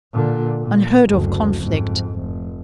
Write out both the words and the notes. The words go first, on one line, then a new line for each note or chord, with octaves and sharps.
Unheard-of conflict!
A#2 D3
A#2
F#1 D2
F2 G#2
F1